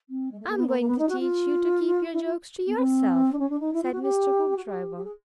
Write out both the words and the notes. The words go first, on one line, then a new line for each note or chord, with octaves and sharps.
"I'm going to teach you to keep your jokes to yourself," said Mr. Hoopdriver.
C4
G#3
A3
A#3
B3
A#3
A#3
B3
D#4
F#4
F4
E4
F4
B3
C4
D4
C#4
D4
D#4
E4
F4
F#4
G4
F#4
G4
G4
G#4